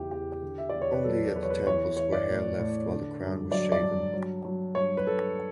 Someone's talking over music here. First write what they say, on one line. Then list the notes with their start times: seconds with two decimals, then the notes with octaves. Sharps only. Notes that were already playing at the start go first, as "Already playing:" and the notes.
Only at the temples were hair left while the crown was shaven.
Already playing: E2 C#3 E3 G4
0.11 E2 G4
0.43 D3
0.58 E5
0.70 E2 D5
0.82 C#5
0.93 B4
1.04 F#3 A4
1.35 E2 B4
1.43 C#5
1.50 B4
1.67 E3 C#5
1.97 E3 C#5
2.12 D5
2.29 A2
2.59 A2
2.90 D3
3.21 G2
3.51 F#3 D5
3.72 D5
3.83 G2
4.14 F#3
4.45 F#3
4.75 G2 C#5
4.97 B4
5.06 G2 A4